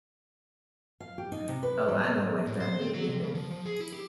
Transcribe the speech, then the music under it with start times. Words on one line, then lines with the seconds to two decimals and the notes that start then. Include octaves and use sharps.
Oh, I don’t like that name, either.
1.00 F5
1.18 G4
1.32 D#4
1.48 C3
1.63 B4
1.88 G3
2.04 D#5
2.47 A2
2.60 C5
2.81 C4
2.94 F#3
3.08 C3
3.23 C#3
3.35 F3
3.50 F3
3.66 G#4
3.80 E4
3.93 G4